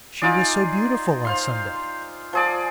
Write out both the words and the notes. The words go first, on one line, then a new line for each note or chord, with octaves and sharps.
She was so beautiful on Sunday.
D#4 F4 G#4 D5
C5 F5 C6
F3 G#4 D5